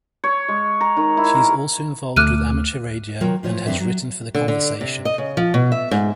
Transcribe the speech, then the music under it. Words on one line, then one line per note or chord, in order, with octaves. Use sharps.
She is also involved with amateur radio and has written for The Conversation.
C#5
G#3
A#5
D#3
E4
A#4
D2 A3 D6 F6 F#6 D#7
D#3 F#3 F4 A#4 C#5 G5
A2 F3 F4 C5 C#5
F2 D#3 E3 C4 D4 E5
F#3
D3
D3
C3
D#5
C#3
F3
B2
E5
G#2